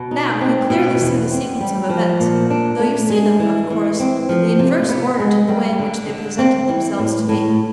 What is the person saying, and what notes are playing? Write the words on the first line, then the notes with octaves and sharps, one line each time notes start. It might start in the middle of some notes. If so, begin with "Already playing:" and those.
Now you clearly see the sequence of events, though you see them, of course, in the inverse order to the way in which they presented themselves to me.
Already playing: B2
D#4
C4
B2
E2
C4
G3
F3
A#2
D4
A3
G#3
E3
E3
C4
F3
C3
B3
G#3
G3
D3
D3
C4
E3
A2
A2